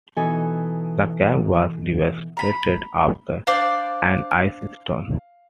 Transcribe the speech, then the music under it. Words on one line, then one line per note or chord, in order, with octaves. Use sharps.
The camp was devastated after an ice storm.
B2 E3 D#4 A4 G#5
A#5 B5
D4 C5 D5 F5